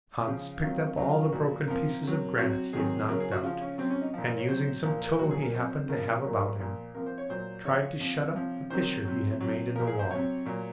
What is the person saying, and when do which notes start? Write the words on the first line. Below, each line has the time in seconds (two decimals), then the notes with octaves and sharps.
Hans picked up all the broken pieces of granite he had knocked out, and using some tow he happened to have about him, tried to shut up the fissure he had made in the wall.
0.27 C#3 F3
0.62 C3 D#3 F#3 F4
0.97 C#3 F#3 D#4
1.09 F4
1.32 A#2 F3 F#4
1.68 C3 F3 A#4
2.03 C3 F#3
2.38 C3 F#3 F#4
2.73 C3 D#3 F#3 G#4
3.08 C#3 F#3 A#4
3.20 G#4
3.32 F#4
3.43 C#3 F3 F4
3.61 C#4
3.78 C3 F#3 C4
3.90 C#4
4.02 D#4
4.14 A#2 F3
4.25 A#4
4.37 C#5
4.48 C3 F#3 C5
4.83 A#2 F3 A#4
5.02 A#4
5.19 A#2 F#3 F#4
5.31 G#4
5.42 A#4
5.54 C3 F#3 C5
5.89 C#3 F3 A#4
6.24 A#2 F#3 A#4
6.59 A#2 F3
6.95 C3 F3 A#4
7.06 C5
7.18 C#5
7.29 A#2 F#3 C5
7.65 C#3 F3 C#5
8.00 C3 F3
8.35 C3 F3
8.70 C3 D#3 F#3 C5
9.05 C3 F#3
9.40 C3 F#3
9.75 A#2 F3 A#4
9.87 G#4
9.99 C5
10.11 C3 F#3 C#5
10.46 A#2 F#3